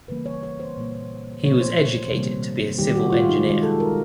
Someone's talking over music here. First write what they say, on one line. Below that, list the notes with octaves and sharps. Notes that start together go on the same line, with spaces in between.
He was educated to be a civil engineer.
C#3 E3 G3 A#3 B4
C#5
C#5
C5
A#2 G3 A#3
A#2 F3 A3 C#5
C5
C3 D#3 G3 A#3
D#3 G3 A#3 G4
F#4
F4
D#4
D#3 G#3
A4
A#4